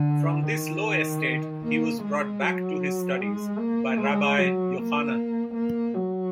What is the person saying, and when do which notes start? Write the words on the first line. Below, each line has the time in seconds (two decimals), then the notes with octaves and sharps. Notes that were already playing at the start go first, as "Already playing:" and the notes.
From this low estate he was brought back to his studies by Rabbi Yochanan.
Already playing: D3
0.46 D#3
1.64 A#3
2.02 G#3
2.42 F#3
3.20 G#3
3.59 A#3
3.98 G#3
4.38 F#3
4.77 A#3
5.55 A#3
5.94 F#3